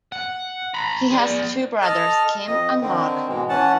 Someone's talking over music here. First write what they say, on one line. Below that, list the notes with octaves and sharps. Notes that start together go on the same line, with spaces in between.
He has two brothers, Kim and Mark.
F#5
A#5 B5
G#4 D5
A4 D#5 A5 F6
F2 D#5
D3 D#3 C4
G#2 B2 E3 G#3
E3 C#4 F#5 A5